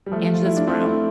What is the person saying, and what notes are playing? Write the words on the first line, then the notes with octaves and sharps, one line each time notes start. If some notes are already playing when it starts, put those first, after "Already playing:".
And just from
G3
F3 A3
F4
E4
D4
A3 C4
C4 E4